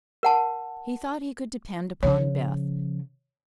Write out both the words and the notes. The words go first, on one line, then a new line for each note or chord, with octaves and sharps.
He thought he could depend upon Beth.
A#4 F#5 A5
C#3 F3 C#5